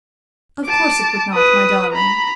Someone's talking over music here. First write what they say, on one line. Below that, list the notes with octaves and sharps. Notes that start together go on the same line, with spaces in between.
"Of course it would not, my darling."
A5 D6
B4 D#6
A#5 B5